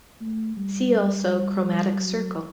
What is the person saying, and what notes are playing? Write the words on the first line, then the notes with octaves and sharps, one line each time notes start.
See also chromatic circle.
A3
G3
F#3